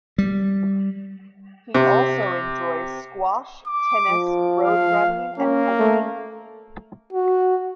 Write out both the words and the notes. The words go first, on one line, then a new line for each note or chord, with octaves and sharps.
He also enjoys squash, tennis, road running and hiking.
G3
C3
D6
F3
F5
A#3 C#4
A3
F#4